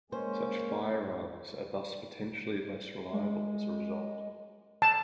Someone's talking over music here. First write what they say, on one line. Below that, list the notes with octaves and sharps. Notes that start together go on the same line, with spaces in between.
Such firearms are thus potentially less reliable as a result.
G#3 A#3 C#4 C5
G#3
A5